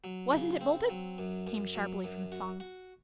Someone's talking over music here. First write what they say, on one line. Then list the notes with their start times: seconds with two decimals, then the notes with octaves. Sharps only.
"Wasn't it bolted?" came sharply from Thong.
0.04 F#3
0.32 C#3
0.61 C4
0.90 F#3
1.18 F#2
1.47 F#2
1.75 F#3
2.04 F#2
2.32 F#4
2.60 F#4